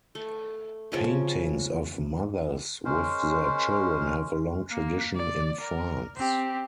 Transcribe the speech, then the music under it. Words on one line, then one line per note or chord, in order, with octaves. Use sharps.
Paintings of mothers with their children have a long tradition in France.
A3
C#3 F3 C#4
G#3 C#4 A#4 C5
A#3
D5
A#4
C4 G4